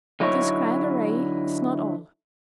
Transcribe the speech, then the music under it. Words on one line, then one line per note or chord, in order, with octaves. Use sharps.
But this grand array is not all.
D3 F#3 D#4 E4 A#4 C#5